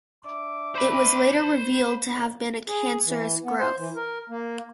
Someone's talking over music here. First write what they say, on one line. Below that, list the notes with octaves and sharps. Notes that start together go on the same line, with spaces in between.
It was later revealed to have been a cancerous growth.
D4 E5 D6
C5 B5
G#4
E3
B3
C5
E3
A#4
A#3